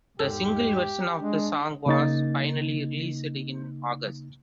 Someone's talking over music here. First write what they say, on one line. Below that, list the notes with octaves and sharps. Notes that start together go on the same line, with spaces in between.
The single version of that song was finally released in August.
E2 G#2 G#3 G4 A4
G#3 D4
C#3 A#3 D#4 A6